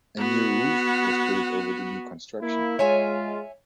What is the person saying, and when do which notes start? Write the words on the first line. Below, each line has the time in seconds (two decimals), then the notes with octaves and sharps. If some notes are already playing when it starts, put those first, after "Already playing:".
A new roof was built over the new construction.
0.18 B3 F#4
2.42 A#3 E4
2.79 G#3 F4 C#5 E5 G#5